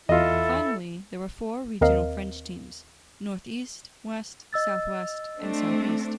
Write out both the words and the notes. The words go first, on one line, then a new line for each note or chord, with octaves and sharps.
Finally, there were four regional French teams: North-East, West, South-West and South-East.
E2 E4 F4 A4 D#5
D#2 C4 A#4 D#5 F5
D#5 E6 A6
A3 C4 D4